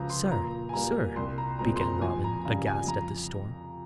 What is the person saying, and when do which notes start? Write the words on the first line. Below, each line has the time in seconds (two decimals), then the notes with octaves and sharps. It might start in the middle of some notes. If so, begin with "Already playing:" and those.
"Sir, sir!" began Robin, aghast at this storm.
Already playing: C#2 C#3 F3 A#5
0.10 C6
0.32 A#2 A#5
0.69 G#5
0.73 G3 A#3 A#5
1.16 C2 C6
1.38 A#5
1.59 A#2 G#3 C4 A#5
1.76 C6
1.81 A#5
2.02 F2 G#5
2.24 A#5
2.45 C#3 G3 A#5
2.67 G#5
2.87 F2 A#5